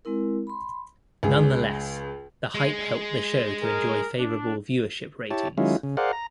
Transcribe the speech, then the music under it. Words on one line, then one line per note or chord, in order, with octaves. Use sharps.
Nonetheless, the hype helped the show to enjoy favourable viewership ratings.
G#3 C4 E4 A#4
B5 C6
C#2 G#4
G#3
G#4 A#4
D4
E4 G4 C#5 A5
D#3 F#3 G#3 C#4 E4 F4
C#3
G#4 A#4 C5 D5 F5 F#5
A#5